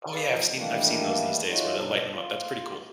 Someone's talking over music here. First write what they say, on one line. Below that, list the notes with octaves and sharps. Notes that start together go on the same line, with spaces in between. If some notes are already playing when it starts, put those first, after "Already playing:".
Oh, yeah, I've seen I've seen those these days where they lighten 'em up, that's pretty cool.
G#4 B4 D5 F5
E2 F3 D#4
D#3 E3 G3 A3 A#3 D4
E3 G#3 D#4 F4 F#4 C#5
B2 F#3 D4
F4